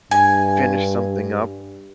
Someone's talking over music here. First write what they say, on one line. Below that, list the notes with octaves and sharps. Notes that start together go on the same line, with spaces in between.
finish something up
G2 G#5